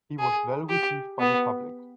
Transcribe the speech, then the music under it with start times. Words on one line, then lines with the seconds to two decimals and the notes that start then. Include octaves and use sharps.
He was well received by the public.
0.19 G#4
0.69 G4
1.20 B3